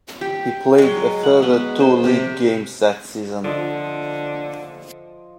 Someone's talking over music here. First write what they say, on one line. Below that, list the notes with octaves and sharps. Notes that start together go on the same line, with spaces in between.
He played a further two league games that season.
G4
F#3 G#3
F#5
B3
C5
C3 G4 D6
D3 F3 D#5